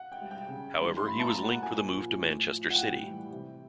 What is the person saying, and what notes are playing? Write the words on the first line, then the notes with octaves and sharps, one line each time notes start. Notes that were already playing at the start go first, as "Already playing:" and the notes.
However, he was linked with a move to Manchester City.
Already playing: F#5
G5
G3
G5
C#3
E3 G3
C6
A2 B5
A5
A#5
F#3
F#5
A#2 G#5
F3
A2
F3
F#5
A2 G5
E3 G3
C3